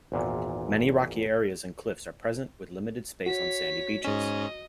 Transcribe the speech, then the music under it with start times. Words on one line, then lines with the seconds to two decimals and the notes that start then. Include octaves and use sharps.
Many rocky areas and cliffs are present, with limited space on sandy beaches.
0.12 G#1 E2 A#2
3.26 F#4 C#5 B6
4.04 G#2 C#4 D#5